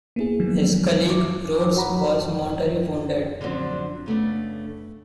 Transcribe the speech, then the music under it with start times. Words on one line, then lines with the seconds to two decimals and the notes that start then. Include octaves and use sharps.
His colleague Rodes was mortally wounded.
0.16 A#3 B3 E4 G#4
0.40 D#3 F3 F#3 G#3 B3
1.10 D6
1.75 F#4 C#5 F#5 A#5 B5
3.41 D3 F3 F#3 C4 D4
4.06 C#3 A3 B3 D4